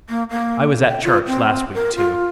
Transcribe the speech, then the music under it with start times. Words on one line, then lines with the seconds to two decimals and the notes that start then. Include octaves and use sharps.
I was at church last week, too...
0.09 A#3
0.30 A#3
0.88 G5
1.04 F4
1.27 C4
1.75 A#4
1.96 F4